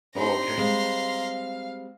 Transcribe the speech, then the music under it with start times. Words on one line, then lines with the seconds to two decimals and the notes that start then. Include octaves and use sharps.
Oh, okay.
0.15 C4 D4 D#4 G4 A#5 C6
0.57 G3 G#3 C4 F5